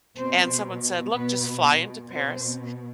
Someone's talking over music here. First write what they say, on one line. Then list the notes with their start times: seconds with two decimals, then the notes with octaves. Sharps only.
And someone said, "Look, just fly into Paris,
0.17 B2 C4 C5
1.14 B2 B3 B4
2.11 B2 C4 C5